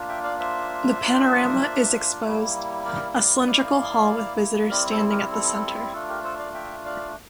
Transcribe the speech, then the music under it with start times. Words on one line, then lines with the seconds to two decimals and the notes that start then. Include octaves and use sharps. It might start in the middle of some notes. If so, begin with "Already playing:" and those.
The panorama is exposed a cylindric hall with visitors standing at the center.
Already playing: A#3 D4 F4
0.08 E5 G5
0.23 D5 F5
0.40 C5 E5
1.00 A#3 D4 F4
2.24 G3 A#3 E4
2.85 A#4 D5
3.15 D5 F5
3.47 A#3 E4 D5 F5
4.70 G3 C4 E4 A#4 D5
4.90 A4 C5
5.11 G4 A#4
5.31 A4
5.93 A3 D4 F4 A4
6.09 G4 A#4
6.24 A4 C5
6.39 D5 F5
6.54 E5 G5
6.85 D5 F5